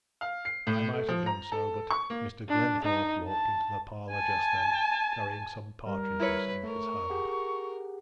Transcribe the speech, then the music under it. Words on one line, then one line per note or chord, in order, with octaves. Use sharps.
I might have done so, but Mr. Glenthorpe walked into the parlour just then, carrying some partridges in his hand.
F5
C7
A2
A3
F3
A#5
A4
C#6
A#3
D4
D#4
A5
G#5 A5
G3 A#4
E4 B4 C#5
A3 A#4 C#6
G4 G#4 F#5